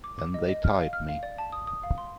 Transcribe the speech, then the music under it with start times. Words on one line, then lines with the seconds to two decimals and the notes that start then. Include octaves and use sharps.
Then they tied me.
0.04 D6
0.19 D6
0.34 D#5
0.48 D#5
0.64 F6
0.79 F5
0.93 F6
1.09 F5
1.23 D5
1.38 A5
1.52 D#6
1.67 D#6
1.83 F5
1.98 C6